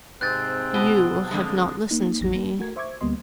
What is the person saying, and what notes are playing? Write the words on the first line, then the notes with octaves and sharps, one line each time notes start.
You have not listened to me.
G#2 C3 C4 F#6 G6 A6
B2 G7
F2 D3 G#3
A#3 D#4
G#1 E2 G#2 F3 A#6
A#3
A3 F#4 A#4 G#6
C5 E5 C#6 D6 G#6
D2 G3 A#3 B3 D#5 C6